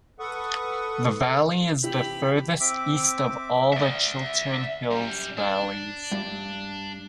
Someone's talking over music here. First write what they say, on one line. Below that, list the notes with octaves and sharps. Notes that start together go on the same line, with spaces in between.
The Valley is the furthest east of all the Chiltern Hills valleys.
A4 B4 F#5 C#6 D#6
C3 E3 E4 G4 B5
C4 E5 D6
D5 E5
F#2 G3
D4
G2